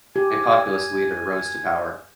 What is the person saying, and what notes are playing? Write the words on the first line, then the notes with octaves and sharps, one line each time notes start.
A populist leader rose to power.
G4 G#5